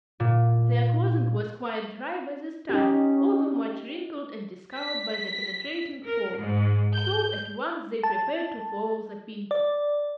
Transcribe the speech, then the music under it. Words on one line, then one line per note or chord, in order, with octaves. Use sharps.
Their clothing was quite dry by this time, although much wrinkled and discolored by the penetrating fog, so at once they prepared to follow the Pinkies.
A#2
C#4 D#4 G4
B6
A#4
G#2
G6
A5
D5